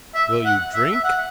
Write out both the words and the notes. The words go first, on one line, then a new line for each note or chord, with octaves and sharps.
"Will you drink?"
E5
F#5
E5
E5
F#5